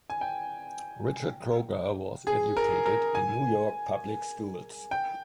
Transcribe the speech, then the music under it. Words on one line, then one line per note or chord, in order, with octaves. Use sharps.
Richard Croker was educated in New York public schools.
G#5
G5
G#4
A#4
A#4
G#5
G5